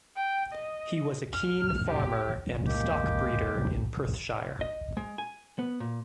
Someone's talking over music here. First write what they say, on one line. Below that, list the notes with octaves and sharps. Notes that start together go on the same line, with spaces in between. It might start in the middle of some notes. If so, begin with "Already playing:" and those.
He was a keen farmer and stock breeder in Perthshire.
G5
D#5
F6
G4
G#3 A#3 G4
D#5
G#3
G#5
B3
A#2